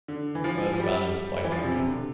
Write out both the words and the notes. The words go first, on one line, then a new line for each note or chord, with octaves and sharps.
Erskine was twice married.
D3
E3
F3
F3
G3
E3
F3
C3
C3
D3